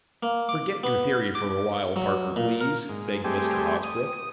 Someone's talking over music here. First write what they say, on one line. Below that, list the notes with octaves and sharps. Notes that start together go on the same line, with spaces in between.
"Forget your theory for a while, Parker, please," begged Mr. Hosbrook.
A#3
D6
B3
D6
F#3
A#2
A#4
G#2
G3 A3 C4 G4 G#4
D#6